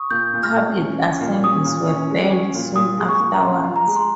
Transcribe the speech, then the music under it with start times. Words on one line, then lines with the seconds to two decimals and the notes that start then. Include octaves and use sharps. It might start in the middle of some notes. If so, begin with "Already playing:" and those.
Public assemblies were banned soon afterwards.
Already playing: C#6 D#6
0.10 A#2 G6
0.33 A#2
0.43 F6
0.56 A#2
0.77 C#4
0.99 C#4
1.21 A#2
1.43 C#4 D#6
1.65 A#2
1.87 C#4
2.10 G#3
2.31 C#4
2.54 A#2
2.75 A#2 D#6
2.97 G#3
3.09 C#6
3.20 A#2
3.33 A#5
3.42 C#4 C6
3.63 F4
3.76 A#5
3.86 G#3
3.96 C6